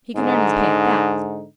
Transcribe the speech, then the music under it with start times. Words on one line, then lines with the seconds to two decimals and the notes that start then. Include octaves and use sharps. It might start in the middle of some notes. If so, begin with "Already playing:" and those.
He could earn his pay at that.
0.17 G#2 D3 D#4